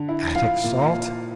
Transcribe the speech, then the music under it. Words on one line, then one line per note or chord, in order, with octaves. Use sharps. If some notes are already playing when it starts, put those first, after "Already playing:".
"Attic salt?"
Already playing: D3
E4
F3 F5
A#2